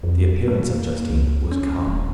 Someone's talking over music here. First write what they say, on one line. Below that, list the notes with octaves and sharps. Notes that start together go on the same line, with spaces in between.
The appearance of Justine was calm.
F2
A#3
C#2
C#4
D#1